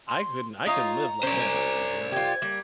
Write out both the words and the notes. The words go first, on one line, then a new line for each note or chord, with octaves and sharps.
I couldn't I couldn't live like that, to be honest.
C6
D#4 F4 C#5 A#5
C#4 D4 C5 D5
F4 G4 G#6
G3 A#3